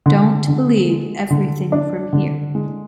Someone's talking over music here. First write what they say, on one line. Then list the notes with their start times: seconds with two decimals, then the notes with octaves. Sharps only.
Don't believe everything from here.
0.06 D3
0.48 D3
0.90 G#3
1.30 D3
1.72 D4
2.13 D3
2.55 G#3